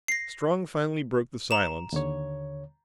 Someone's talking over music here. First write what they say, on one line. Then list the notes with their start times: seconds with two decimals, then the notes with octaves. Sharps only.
Strong finally broke the silence.
0.08 A#6 C7
1.51 A#5 E7
1.92 D#2 D3 C#5